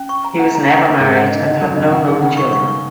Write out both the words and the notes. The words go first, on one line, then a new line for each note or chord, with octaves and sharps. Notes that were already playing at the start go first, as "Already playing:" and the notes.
He was never married and had no known children.
Already playing: C#4
C#6
A#5
F#5
A#5
F#5
A#3 F#5
G#2 G#3 G#4
F#5
D#3 D#5
C#3
D#3 D#5
F#2 F#3 A#4
C#3 D#5
C#3 F#5
D#3 G#4
C#3 F#5
C#6
C#6
C#6